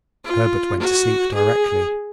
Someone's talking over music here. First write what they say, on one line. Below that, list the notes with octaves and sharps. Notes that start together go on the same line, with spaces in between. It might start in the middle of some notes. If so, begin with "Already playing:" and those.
Herbert went to sleep directly.
F4
F#4
G#4